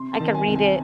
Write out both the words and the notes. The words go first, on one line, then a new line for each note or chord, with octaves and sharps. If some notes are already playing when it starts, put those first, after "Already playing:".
I could read it
Already playing: C3 C6
A5
D#3
G#5
C2
G#5